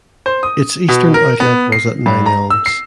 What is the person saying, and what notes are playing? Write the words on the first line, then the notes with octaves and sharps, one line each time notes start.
Its eastern outlet was at Nine Elms.
C5
D#6
B2
A#4
B3
C7
G2
A#5
E6
C7